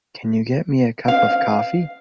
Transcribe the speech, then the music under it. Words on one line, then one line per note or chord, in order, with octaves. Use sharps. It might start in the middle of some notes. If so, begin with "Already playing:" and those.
Can you get me a cup of coffee?
F5